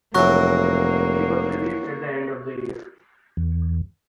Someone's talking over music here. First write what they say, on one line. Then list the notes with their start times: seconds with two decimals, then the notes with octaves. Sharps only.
He was released at the end of the year.
0.15 F1 E3 F#3 A#3 C#6 F#6
3.37 E2